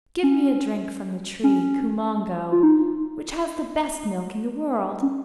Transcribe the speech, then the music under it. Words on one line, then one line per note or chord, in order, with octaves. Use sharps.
Give me a drink from the tree Koumongoe, which has the best milk in the world.'
C#4
C#4
F4
D#4
C#4